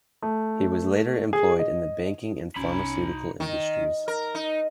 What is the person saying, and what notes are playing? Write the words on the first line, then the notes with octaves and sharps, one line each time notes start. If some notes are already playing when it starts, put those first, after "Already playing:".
He was later employed in the banking and pharmaceutical industries.
A3
G#4
D#5
C2 C#4 D#4 B5
D#3
A#4
D#4